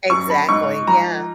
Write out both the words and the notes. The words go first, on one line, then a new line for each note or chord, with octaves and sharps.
Exactly, yeah.
F#2 C#6
B5
G#2 C#6
F3 A#5